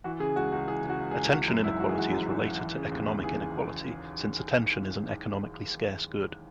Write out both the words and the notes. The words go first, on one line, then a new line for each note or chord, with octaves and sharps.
Attention inequality is related to economic inequality since attention is an economically scarce good.
E3 F#4
C#3 G#4
C#2 F#4
C#2 F#4
E3 G#4
C#3
F#4
C#2
G#4
C#2
E3 F#4
F#2
G#1 E4
G#1 F#4
G#4
E3 F#4
F#2
G#1
G#1
E3
C#3
D#2
D#2
E3 G#4